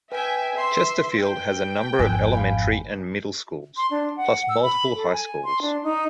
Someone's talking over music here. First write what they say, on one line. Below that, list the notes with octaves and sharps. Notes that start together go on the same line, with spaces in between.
Chesterfield has a number of elementrary and middle schools, plus multiple high schools.
B4 E5 G5 G#5 B6
E5 C6
G5
G#1 F2 G#5 F#6
F5 G#5 B5
C6
D4
F#5
E6
B5
A4
G#5
C6
D4
D#4